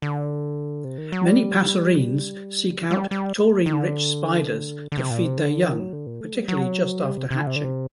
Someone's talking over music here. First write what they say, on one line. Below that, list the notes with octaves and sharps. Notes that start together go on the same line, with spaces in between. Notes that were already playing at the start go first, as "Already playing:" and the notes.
Many passerines seek out taurine-rich spiders to feed their young, particularly just after hatching.
D3
C3
D#3
F#3
G3
G3
G3
D#3
D3
D3
C3
A#2
C3
D3
D#3
F#3
D3
A#2
A3
G3
F#3
G3
C3
C3
D3
C3
D3
C3